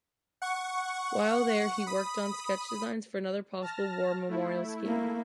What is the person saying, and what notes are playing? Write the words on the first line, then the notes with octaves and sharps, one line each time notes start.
While there he worked on sketch designs for another possible war memorial scheme.
F#5 C#6
B5 D#6
A5 F6 A#6
A3 E4
A#3